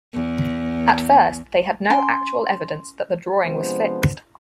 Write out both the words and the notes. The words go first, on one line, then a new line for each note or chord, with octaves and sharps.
At first, they had no actual evidence that the drawing was fixed.
E2
C#4 G#5 A#5 C6
C3 F3 G#3 B3 D4 C5